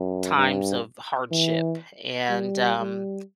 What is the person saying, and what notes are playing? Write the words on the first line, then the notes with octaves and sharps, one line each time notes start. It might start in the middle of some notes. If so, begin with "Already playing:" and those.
times of hardship, and, um,
Already playing: F#2
G2
E3
G3
G3